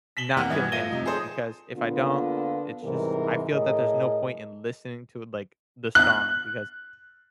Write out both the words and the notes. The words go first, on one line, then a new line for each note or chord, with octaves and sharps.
not feeling anything, because if I don't, it's just I feel that there's no point in listening to it, like, the song, because
B6 E7 F#7 G7
C3 E3 A#3 F#5 F6
G2 E3 B3 G#6
F3 A3 F5 A#6 D#7 G7
C3 F3 D#4
G#4 A4 C5 D#6
D3 A#3 B3 F4
G#2 C3 E3 G3 A#4
A2 G#4 A#4 D#5
F#6